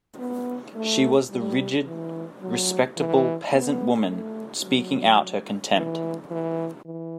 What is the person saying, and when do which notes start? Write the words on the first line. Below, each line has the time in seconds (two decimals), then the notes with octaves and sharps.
She was the rigid, respectable peasant woman, speaking out her contempt.
0.19 B3
0.75 A3
1.30 G3
1.87 E3
2.41 F#3
2.97 E3
3.52 B3
4.09 A3
4.64 F#3
5.75 E3
6.30 E3
6.85 E3